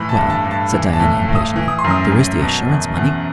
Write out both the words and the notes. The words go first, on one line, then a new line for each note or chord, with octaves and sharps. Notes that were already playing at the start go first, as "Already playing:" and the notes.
"Well," said Diana impatiently, "there is the assurance money."
Already playing: A2 E3 B5
A5
G2
A5
G2
A5
E3
A5
A2
A2
D#6
E3
D#6
C6
F#2
D#6
F#2
B2
E2
E2